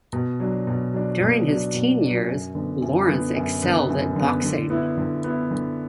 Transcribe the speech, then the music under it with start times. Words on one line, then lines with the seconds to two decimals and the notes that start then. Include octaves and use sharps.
During his teen years, Lawrence excelled at boxing.
0.13 B2
0.40 F#3 D4
0.67 B2
0.93 F#3 D4
1.21 B2
1.48 F#3 D4
1.74 B2
2.01 F#3 D4
2.28 F#2
2.55 D3 B3
2.82 F#2
3.09 D3 B3
3.36 F#2
3.63 D3 B3
3.89 F#2
4.16 D3 B3
4.43 D3
4.70 B3 E4
4.98 D3
5.24 B3 E4
5.51 D3